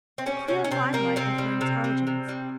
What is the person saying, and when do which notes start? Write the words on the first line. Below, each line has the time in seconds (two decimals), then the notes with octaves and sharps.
The clear limelight of her intelligence!
0.18 C4
0.26 G3 C#4
0.48 C3 C#4
0.64 C#4
0.71 C3 C4
0.93 G3 A#3
1.16 C3 C4
1.38 G3
1.61 C3
1.84 G3
2.07 C3
2.29 G3